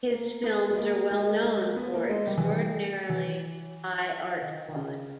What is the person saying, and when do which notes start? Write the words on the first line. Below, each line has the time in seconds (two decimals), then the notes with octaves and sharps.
His films are well known for extraordinarily high art quality.
0.10 A#3
0.44 B3
0.71 G#3
0.78 A#3
1.11 G#3
1.43 G#3
1.76 B3
1.94 A#3
2.09 G#3
2.27 G3
2.38 E3
2.50 G3
3.10 E3
4.42 D#3
4.68 D#3
4.76 C#3